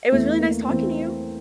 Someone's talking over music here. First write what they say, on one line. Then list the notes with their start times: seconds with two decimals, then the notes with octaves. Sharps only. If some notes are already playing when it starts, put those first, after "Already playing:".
it was really nice talking to you.
0.12 E2 E3 A3
0.40 A#3
0.68 E2 E3 C4